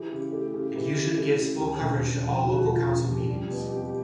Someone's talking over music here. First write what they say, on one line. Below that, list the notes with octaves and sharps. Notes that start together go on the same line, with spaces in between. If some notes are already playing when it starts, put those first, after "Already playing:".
It usually gives full coverage to all local council meetings.
Already playing: E3 G4
C#3
A3
C#3
E3
C#3
A3
C#3
D#2
E1
C#3
F3
D#2 F#4
E1
F4
C#3
G4
F3
G3 G4
B2
C4